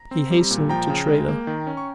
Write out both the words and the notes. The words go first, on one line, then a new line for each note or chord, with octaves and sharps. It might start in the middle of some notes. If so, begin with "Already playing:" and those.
He hastened to Tredah.
Already playing: A#5
C4
G3
A#2
F3 G5 A#5
C#3
G#3
A#3
D#3
C#4
C#6